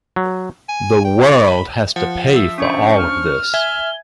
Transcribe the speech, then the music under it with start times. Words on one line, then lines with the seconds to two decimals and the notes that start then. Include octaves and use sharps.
The world has to pay for all of this.
0.16 F#3
0.69 G#5
1.04 G5
1.21 F4
1.43 B5
1.96 F3 F#5
2.35 E5 E6
2.58 C#4 D4 C5 C#6
2.97 F6
3.54 E5 G#5 G#6 G7